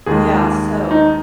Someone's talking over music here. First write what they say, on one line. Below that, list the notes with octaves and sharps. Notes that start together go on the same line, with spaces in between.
Yeah, so
D#2 D#3 G#3 G#4
D#4